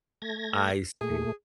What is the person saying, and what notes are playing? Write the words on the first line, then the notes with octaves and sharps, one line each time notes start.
I see.
A3 G#6 A#6
A#2 A3 G#4